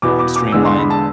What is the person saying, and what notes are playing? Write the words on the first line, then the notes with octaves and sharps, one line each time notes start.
um, streamlined,
E2 B2 B3 D6
D6
D6
E2 D3 G#3 E6
C6
B5
A5